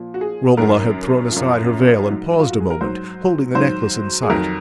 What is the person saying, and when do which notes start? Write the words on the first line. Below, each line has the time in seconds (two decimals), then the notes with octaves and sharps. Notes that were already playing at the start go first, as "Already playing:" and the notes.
Romola had thrown aside her veil and paused a moment, holding the necklace in sight.
Already playing: A#2 F3
0.14 F#4
0.21 G#4
0.57 F#2 D#3 F#3 A#4
1.32 F#2 F3
2.06 G#2 F#3
2.39 F4
2.49 F#4
2.60 G#4
2.70 A#4
2.81 G#2 F#3 C5
3.55 G#2 D#3 F#3 C5
4.23 G#4
4.30 F2 D#3 F#3 A#4